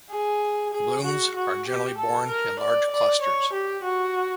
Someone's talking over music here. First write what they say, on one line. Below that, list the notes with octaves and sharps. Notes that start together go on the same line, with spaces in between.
Blooms are generally borne in large clusters.
G#4
G#4
F#4
F#4
G4
A4
A#4
D5
D5
C#5
G4
F#4